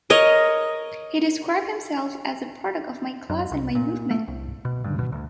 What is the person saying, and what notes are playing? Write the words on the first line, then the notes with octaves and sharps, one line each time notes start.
He described himself as "a product of my class and my movement".
A#4 C#5 D#5
F#2
C2
A#2
A3
C2
B2
G2
B2
D2